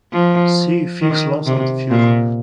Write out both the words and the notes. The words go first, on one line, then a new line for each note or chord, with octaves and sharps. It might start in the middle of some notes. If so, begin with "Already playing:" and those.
See Fick's laws of diffusion.
F3
D#3
C3
A#2